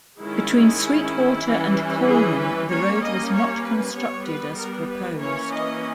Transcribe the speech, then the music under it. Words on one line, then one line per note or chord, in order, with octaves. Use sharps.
Between Sweetwater and Coleman, the road was not constructed as proposed.
D#3 G#3 C#4 E4
E3 G3 C#4
G#4
B4
G3 A#3 C#4 C#5
D#5
C#5
B4
G3 B3 C#5
B4
A#4
B4
E3 A#3 C#4 C#5
D#5